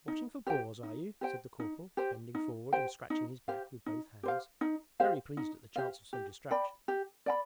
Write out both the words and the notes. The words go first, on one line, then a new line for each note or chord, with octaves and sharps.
'Watching for boars, are you?' said the corporal, bending forward and scratching his back with both hands, very pleased at the chance of some distraction.
D#4
G4 C5 G5
D#4
G4 C5 G5
D#4
G4 C5 G5
D#4
G4 C5 G5
D#4
G4 C5 F5
D#4
G4 C5 F5
D#4
G4 C5 F5
D#4
G4 C5 F5
G4
D5 G5 B5
G4
D5 G5 B5